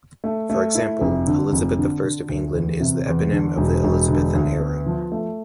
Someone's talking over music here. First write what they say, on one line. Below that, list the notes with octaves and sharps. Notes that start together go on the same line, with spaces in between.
For example, Elizabeth the First of England is the eponym of the Elizabethan era.
A3
A3
E4
F1
D3
F1
D3
D3
D2
E2
C3
E2
D3
E1
E1
D3
D2
B3
F3
A3